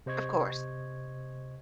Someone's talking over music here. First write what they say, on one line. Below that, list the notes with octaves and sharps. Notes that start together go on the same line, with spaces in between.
Of course.
C3 C5 D#5 C#6 G#6